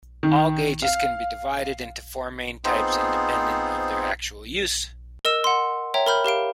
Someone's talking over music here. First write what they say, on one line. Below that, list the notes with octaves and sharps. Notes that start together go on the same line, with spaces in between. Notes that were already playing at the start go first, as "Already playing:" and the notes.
All gauges can be divided into four main types, independent of their actual use.
D#3
F5
B3 C4 D#4 F4 G#4 C5
A#4 D#5 E6 E7
F#5 C6
C#5 E5 G5 A#5
A#4 B5 F6 G6
G4 A#4 F5 D7